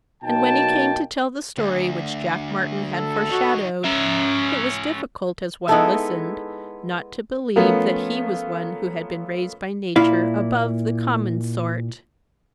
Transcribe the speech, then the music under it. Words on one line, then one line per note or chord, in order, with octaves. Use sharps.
And when he came to tell the story which Jack Martyn had foreshadowed, it was difficult, as one listened, not to believe that he was one who had been raised by nature above the common sort.
B2 F#3 A#3 D#4 G5 A5
D2
A4
D#4 F#4 C#5
C#4 E5
G#3 B3 D#4 E4 A4 E5
F3 A3 B3 C#4 F4 A#4
A#2 E4 F5